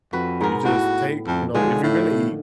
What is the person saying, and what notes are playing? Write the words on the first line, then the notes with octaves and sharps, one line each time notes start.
You just take you know, if you're gonna eat,
F2 F#4 B4
G#2 B3 A#4
A2 F#4
F2
D3 D#3 F3 G#3
A2